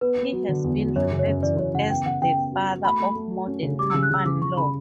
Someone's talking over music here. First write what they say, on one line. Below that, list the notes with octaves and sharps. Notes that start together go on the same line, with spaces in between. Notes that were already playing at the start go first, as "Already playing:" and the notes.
He has been referred to as "the father of modern company law".
B3 B4
B3
F#3
D3
E2
F#3
F#2 C#5
C#3
C#5
F#2
E3 D5
F#2 C#5
C#3 F#5
B3 G5
C#3 F#5
C#3 G5
B3
F#4
F#4
A3 B5
A3
A3
F#3
C#4
C#3
G3 D6
E6
C#3
F#6
C#3 E6
C#3 D6
C#3 C#6
C#3 B5